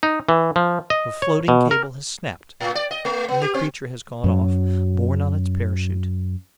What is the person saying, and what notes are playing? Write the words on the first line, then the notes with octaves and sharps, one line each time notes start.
The floating cable has snapped and the creature has gone off, borne on its parachute.
D#4
E3
F3
D#5
C#5
B2
A#4
A2
D5
D#5
A3
B3
G4
C4
F#2 F#3